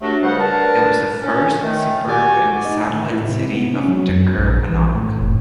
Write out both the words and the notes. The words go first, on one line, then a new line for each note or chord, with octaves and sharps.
It was the first suburb in the satellite city of Tuggeranong.
F#3 A3 D4 F#4 G4 A#4
C#2 C#3 G3 C5 F#5
D4 A#4 B4 A5
C#4
D#3 A3
F#4 G4 D5 G#5
D#4
A2
E4
C3
B3
C#4
F#3
F#2
A#1
E3
A2
F1